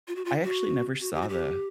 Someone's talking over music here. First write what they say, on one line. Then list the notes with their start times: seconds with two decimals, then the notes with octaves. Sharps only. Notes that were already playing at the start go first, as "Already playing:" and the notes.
I actually never saw the
0.08 F4
0.16 F#4
0.25 F4
0.44 F#4
1.01 F#4
1.14 G4
1.22 F#4
1.29 G4